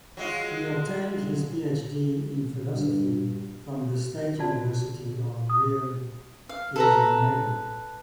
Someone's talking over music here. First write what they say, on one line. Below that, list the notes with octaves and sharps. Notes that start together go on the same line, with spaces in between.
He obtained his PhD in Philosophy from the State University of Rio de Janeiro.
F#3 G#3 F4
G2
F4 F#4 D5 A5
D#6
F5
A4 B4 A#5